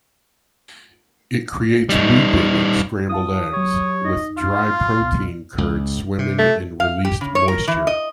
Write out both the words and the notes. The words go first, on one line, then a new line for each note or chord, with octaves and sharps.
It creates weeping in scrambled eggs, with dry protein curd swimming in released moisture.
G3 D#4
E4 F5 A5 D#6
F#3 G4 C#5
D#4 D#5
F4 F5
C#2 B2
C#2
C3
A3
F5
G4
C#3
C#5
A#4
E3
D#5